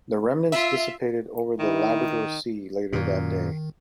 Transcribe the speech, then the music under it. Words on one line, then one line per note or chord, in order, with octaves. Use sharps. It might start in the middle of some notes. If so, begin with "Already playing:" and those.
The remnants dissipated over the Labrador Sea later that day.
F4 E5
D#3 E4
F#2 A#2 D#3